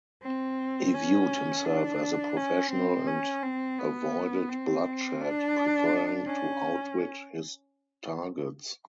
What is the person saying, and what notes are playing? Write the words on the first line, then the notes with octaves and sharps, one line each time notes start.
He viewed himself as a professional and avoided bloodshed, preferring to outwit his targets.
C4
C#4
D4
C#4
C4
C#4
C4
B3
C4
D4
C#4